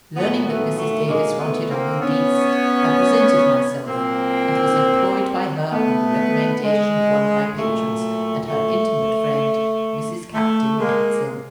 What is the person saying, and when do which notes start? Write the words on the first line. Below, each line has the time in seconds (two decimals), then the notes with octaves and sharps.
Learning that Mrs. Davis wanted a modiste, I presented myself, and was employed by her on the recommendation of one of my patrons and her intimate friend, Mrs. Captain Hetsill.
0.16 A#2 F#3 A3 B3
0.47 A3 B3
0.78 A3
1.08 G#3 A#3
1.39 A3 B3
1.70 A#3 C4
2.01 B3 C#4
3.86 A#2 F#3 A#3 C4
5.71 A3 B3
6.64 G#3
7.56 A#2 F#3 A3
8.48 A3
10.33 A3
10.80 G#3 A#3